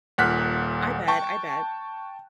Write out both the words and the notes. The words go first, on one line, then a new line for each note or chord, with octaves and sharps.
I bet, I bet.
D#1 A#2 F#5 F6 F#6 B6
G5 A5 C#6